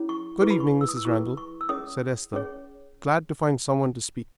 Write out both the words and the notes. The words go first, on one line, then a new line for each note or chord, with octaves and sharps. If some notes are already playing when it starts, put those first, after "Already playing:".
"Good evening, Mrs. Randal," said Esther, glad to find someone to speak to.
Already playing: C#4 E4 G#4 C#5
C#6
E4 G#4 B4 C#6
B5
C#6
E6
D#6
E6
E4 G#4 B4 C#6
C#6
E6
C#4 G#4 C#5 D#6
C#4 G#4 C#5